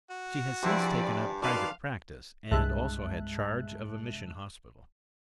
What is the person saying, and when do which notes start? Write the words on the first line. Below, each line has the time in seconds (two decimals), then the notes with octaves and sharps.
She has since taken up private practice and also had charge of a mission hospital.
0.10 F#4
0.63 G2 C3 F3 C4 E4 G#4 D5
1.42 F#2 D#3 B4 D5 F5 A5 C6
2.51 C2 G2 G#3 E5 A5 F#6